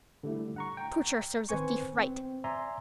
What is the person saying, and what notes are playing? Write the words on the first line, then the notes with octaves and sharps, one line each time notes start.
Torture serves a thief right.
D3 G3 A3 E4
F#5 A#5 C#6
G5 A#5
D#3 C4 B4 C5 G#5 C#6
C4
D5 E5 G#5 A#5 C6